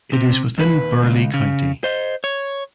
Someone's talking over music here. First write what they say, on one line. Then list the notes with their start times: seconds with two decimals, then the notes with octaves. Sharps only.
It is within Burleigh County.
0.13 C3
0.58 D#2 B4
1.02 C#2
1.34 C#3
1.84 C5 D#5
2.24 C#5